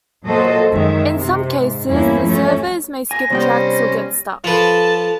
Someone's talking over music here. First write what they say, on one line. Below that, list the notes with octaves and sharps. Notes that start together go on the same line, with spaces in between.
In some cases, the servos may skip tracks or get stuck.
A#2 F#3 F#4 A4 C5 D#5
F#2 D#3 G#3 E5
C3
G#2
E2 G2 A#3 C#4 E4
F3 A3 C#4
G#5 A#6
C2 G3 B3 C#4 C5 G5
F3 A4 B4 A5